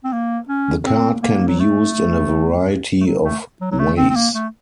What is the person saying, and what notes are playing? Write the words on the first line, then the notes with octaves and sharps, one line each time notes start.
The card can be used in a variety of ways.
C4
A#3
C#4
C4
A#3
F#3
A3
A3
F#3
A3
F#3
F#3
A3
C4
C4
A#3
A3